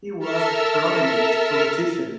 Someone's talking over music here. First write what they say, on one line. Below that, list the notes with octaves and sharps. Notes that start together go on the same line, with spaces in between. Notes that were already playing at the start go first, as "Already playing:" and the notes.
He was a prominent politician.
A4 A#4 E5 A5 E6 F6